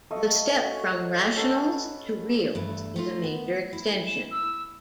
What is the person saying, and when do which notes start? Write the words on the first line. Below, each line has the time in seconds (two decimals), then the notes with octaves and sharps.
The step from rationals to reals is a major extension.
0.11 A3 D#5 F5 C#6
0.61 F#4 C#5
1.36 C#4 A4 B4 F#5
2.55 E2 G2 A3
2.96 A3 D#4 F4
3.24 B3
3.73 E4
4.07 E7
4.31 E6